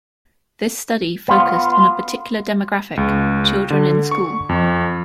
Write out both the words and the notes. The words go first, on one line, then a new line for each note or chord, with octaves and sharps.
This study focused on a particular demographic: children in school.
B3 F4
C#2
D3
C#6
F2